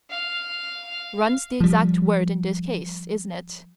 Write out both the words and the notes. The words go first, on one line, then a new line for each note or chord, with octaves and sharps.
Run's the exact word in this case, isn't it?
F5
F3 G3